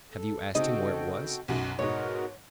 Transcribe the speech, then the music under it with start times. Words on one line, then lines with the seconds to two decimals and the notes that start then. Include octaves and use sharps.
Have you asked him where it was?
0.12 A4
0.55 C#3 C4 D#4 F#4 A4 D#5 G5
1.48 B1 F#2 F#4
1.79 G#2 B2 F#4 A#4 C#5 D#5